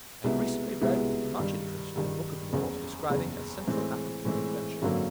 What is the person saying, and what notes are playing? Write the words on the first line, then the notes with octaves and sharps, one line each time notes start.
I have recently read with much interest a book of yours describing a Central African adventure.
C2 B2 G#3 B3 E4
C2 B2 G#3 B3 E4
G2 D#3 G3
G2 D#3 G3
F#1 E2 C#3
F#1 E2 C#3
A2 E3 G#3 C4
A2 E3 G#3 C4
G#1 F#2 D3 F#3 A#3